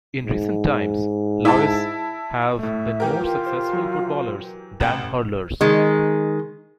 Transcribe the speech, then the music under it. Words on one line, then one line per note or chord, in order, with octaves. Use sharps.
In recent times Laois have been more successful footballers than hurlers.
G#2
E4 A5
A2 A3 E5
E3 G4 A#4
F4
C5
F#3
A1 G5
D#3 G#3